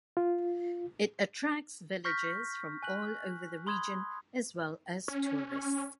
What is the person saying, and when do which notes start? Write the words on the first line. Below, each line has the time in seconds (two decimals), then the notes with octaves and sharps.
It attracts villagers from all over the region as well as tourists.
0.17 F4
2.05 C#6 F6 G6 A#6 B6
2.83 G#5 F#6 F#7
3.67 B5 C6 D#6 G#6
5.08 C#4